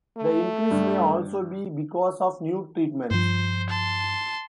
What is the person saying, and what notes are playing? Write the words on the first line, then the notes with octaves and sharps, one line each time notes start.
The increase may also be because of new treatments.
A3
G2
G2 F3 C5
A5 C6